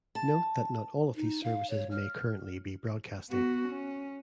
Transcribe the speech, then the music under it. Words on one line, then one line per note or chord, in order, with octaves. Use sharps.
Note that not all of these services may currently be broadcasting.
A5
D#4
F5
C#5
F6
B3 F#4
C#4